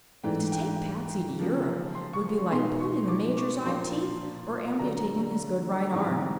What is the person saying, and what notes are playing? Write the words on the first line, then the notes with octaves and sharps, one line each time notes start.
But to take Patsy to Europe would be like pulling the Major's eye teeth or amputating his good right arm.
G#2 E3 A3 D4 G5
G5
C#3 F3 A#3
C6
C#6
B2 G#3 B3 D#4 C6
C#6
D6
C#6
A#2 F3 A#3 D4 F4 C6
D3 F#3 B3 D4 A#5
G#2 E3 G3 C4 E4 A#5